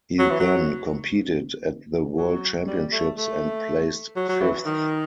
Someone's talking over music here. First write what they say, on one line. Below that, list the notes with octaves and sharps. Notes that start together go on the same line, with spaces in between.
He then competed at the World Championships and placed fifth.
F#3
E3
F#3
F#3
G3
A3
A3
F#3
F#3
E3
D#3